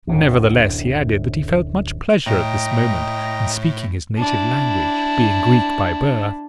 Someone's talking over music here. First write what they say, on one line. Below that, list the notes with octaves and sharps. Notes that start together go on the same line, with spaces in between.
Nevertheless, he added that he felt much pleasure at this moment in speaking his native language, being Greek by birth.
D1 F#2
A2 D#5 G5 A#5
D4 E4